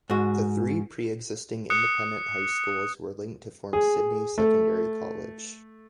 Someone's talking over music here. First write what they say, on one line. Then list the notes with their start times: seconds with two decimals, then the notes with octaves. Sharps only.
The three pre-existing independent high schools were linked to form Sydney Secondary College.
0.10 G#2 F#4
1.70 D#6 F#6 C#7
3.73 G#4
4.38 A3